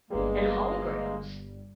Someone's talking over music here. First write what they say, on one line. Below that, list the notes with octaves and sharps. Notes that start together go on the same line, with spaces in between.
And holograms.
G1 G3 G#3 A#3 G#4 B4